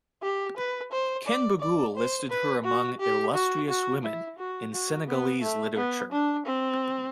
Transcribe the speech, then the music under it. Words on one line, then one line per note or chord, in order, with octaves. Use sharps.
Ken Bugul listed her among "illustrious women" in Senegalese literature.
G4
B4
C5
D5
D5
C5
B4
F#4
G4
F#4
F#4
E4
F#4
F#4
B3
A3
B3
D4
C4